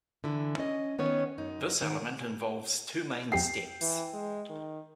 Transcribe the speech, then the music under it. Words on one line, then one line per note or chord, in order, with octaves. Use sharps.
This element involves two main steps.
D3 E3 E4
C#4 D#5
D#3 B3 C#4 C#5
F#2 D#4
D#3
F2 G4 G5 B6 C7
E3
G#3
D#3